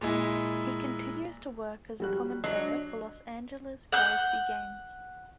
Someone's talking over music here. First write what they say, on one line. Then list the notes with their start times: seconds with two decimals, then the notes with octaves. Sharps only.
He continues to work as a commentator for Los Angeles Galaxy games.
0.01 A#2 G#3 E4
2.00 F#3 G3 F#6
2.44 F#3 D4 D#5 C7
3.92 F#5 G6